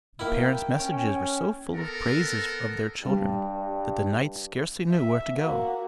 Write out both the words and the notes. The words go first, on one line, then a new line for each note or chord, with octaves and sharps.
The parents' messages were so full of praises of their children that the knights scarcely knew where to go.
A#3 E4 G5
C#4
B3 A4 A#4
G2 G3
E5
A#3 F#4